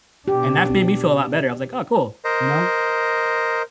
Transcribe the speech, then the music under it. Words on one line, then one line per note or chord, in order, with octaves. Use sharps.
And that made me feel a lot better, I was like, "Oh, cool. You know?
B2 D4 G4
A#4 C5 D#5